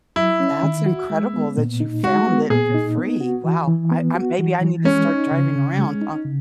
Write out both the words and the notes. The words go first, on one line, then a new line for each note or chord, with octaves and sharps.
That's incredible that you found it for free. Wow. I I maybe I need to start driving around, huh?
F#3 E4
C#4
D#3
F#4
G#3
B3
A#2
D#4
G#3 F#4
B3
A#2 G#4
D#4
B3
F#4
E3
E3
B3
F#4
E3
E3
G#3 C#4
D#4
C#3
C#3
G#3
D#4
C#3